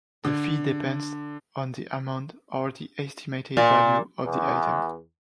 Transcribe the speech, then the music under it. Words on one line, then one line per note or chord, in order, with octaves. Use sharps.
The fee depends on the amount or the estimated value of the item.
D3
A#2
E2